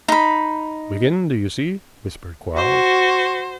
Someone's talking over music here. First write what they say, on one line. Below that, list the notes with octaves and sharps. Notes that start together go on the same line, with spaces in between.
"Wigan, do you see?" whispered Quarles.
D#4 B5
F#4 C5